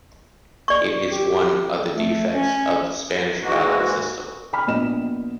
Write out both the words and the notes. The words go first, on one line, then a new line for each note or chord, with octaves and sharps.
It is one of the defects of the Spanish ballot system.
D5 C#6
G4
A3
C#4
G#2 E3 G#3 A#3 F#4
G5 B5 F6
A#1 B3 D#5 E7